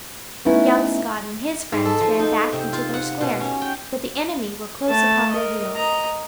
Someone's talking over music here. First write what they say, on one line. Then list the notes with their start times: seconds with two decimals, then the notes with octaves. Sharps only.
Young Scott and his friends ran back into their square, but the enemy were close upon their heels.
0.45 A3 B3 C#4 D#4 E4 B4
1.72 G#2
1.85 A4
2.01 F3
2.19 D#4
2.53 C3
2.73 F4
2.94 F#5
3.21 B2
3.40 C#4
3.61 G5
4.88 A3 A5
5.31 A#4 D#5
5.76 D#5 A#5